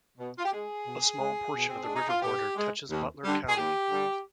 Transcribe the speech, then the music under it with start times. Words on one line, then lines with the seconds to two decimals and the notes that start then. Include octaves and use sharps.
A small portion of the river border touches Butler County.
0.18 B2
0.38 F4
0.45 G4
0.52 G#3 G#4
0.86 B2
1.20 G#3
1.55 B2
1.68 C4
1.82 D4
1.88 G#3
1.95 D#4
2.09 F4
2.22 B2 G4
2.56 G#3
2.90 D#2
3.23 D3 G3
3.49 G#4
3.57 D#2 G4
3.91 D3 G3